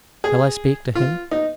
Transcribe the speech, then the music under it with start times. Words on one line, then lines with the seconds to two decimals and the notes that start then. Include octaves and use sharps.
Shall I speak to him?
0.24 G#4
0.95 F4
1.31 D#4